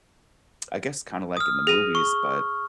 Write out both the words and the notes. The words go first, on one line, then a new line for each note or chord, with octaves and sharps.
I guess kinda like in the movies, but
D#6 F6
G#4 A#6 D#7
C#6